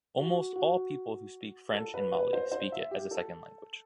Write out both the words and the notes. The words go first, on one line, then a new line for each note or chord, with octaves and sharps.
Almost all people who speak French in Mali speak it as a second language.
F#4
F#4
A4
B4
B4
C5
C5
E5
G4
A4